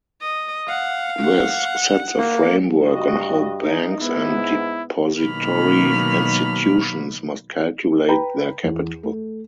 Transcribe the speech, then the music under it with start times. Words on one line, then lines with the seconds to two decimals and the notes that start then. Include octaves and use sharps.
This sets a framework on how banks and depository institutions must calculate their capital.
0.21 D#5
0.68 F5 F#5
1.20 F#5
2.18 A#3
2.87 G2 F#4 D#5
3.62 D#4
4.00 G#2 B3 E4
5.21 B2 D#3 F#3 A#3 B5 F6
8.08 B4 G5 A#5 B5
8.64 E2
9.03 A3